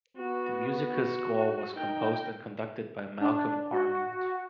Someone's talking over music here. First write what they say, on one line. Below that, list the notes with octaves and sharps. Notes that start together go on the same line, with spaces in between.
The musical score was composed and conducted by Malcolm Arnold.
B3 F#4
F#4
D#4 A#4 G5
D4
F#4